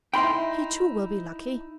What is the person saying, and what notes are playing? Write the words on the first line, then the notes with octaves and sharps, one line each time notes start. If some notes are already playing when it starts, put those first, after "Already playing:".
He, too, will be lucky.
D#4 E4 G5 B5 C6